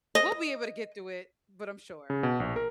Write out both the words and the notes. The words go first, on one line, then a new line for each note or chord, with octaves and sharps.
we'll be able to get through it, but I'm sure.
D#5
C#3
B2
A#1
A#4